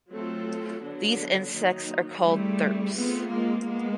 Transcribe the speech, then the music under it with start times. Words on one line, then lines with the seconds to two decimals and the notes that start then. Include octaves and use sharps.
These insects are called thrips.
0.11 F#3 A3 C4 F4 A4
0.82 D3 F#3 B3 D4
1.53 D#3 F#3 A#3 D#4
2.24 G3 A3 C4 E4 G#4
2.95 A3 B3 C4 F4 G#4
3.30 G#3 A#3
3.66 G#3 A#3 B3